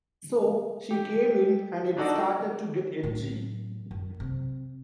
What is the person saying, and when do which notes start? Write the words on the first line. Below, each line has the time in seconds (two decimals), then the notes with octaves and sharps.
So she came in and it started to get edgy.
0.91 G4
1.97 D4 D#4 F#4 A4 D5
3.03 A2 F#3
3.91 F#2
4.20 C3